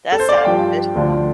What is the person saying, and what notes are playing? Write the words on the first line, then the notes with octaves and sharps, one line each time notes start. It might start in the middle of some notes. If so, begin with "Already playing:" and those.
That's not good.
A4
C5
D5
F5
G2 F3 G5
D2 D3 F3